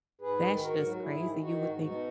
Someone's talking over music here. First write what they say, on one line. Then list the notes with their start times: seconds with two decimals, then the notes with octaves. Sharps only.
that's just crazy, you would think
0.21 G#2 G#4 B4
0.42 D#3
0.61 G#2 F#4 A#4
0.80 F#3
1.00 G#2 E4 G#4
1.20 D#3
1.40 D#3 D#4 F#4
1.61 G#2
1.80 B2 D#4 F#4